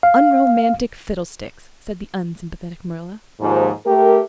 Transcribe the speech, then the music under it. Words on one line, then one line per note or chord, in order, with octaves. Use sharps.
"Unromantic fiddlesticks!" said the unsympathetic Marilla.
F5
D#2 G#2 F3
A3 G4 A#4